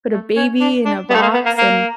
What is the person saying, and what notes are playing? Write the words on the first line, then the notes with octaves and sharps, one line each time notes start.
put a baby in a box and
A3
C#4
D4
D4
B3
A3
A#3
B3
A#3
A#3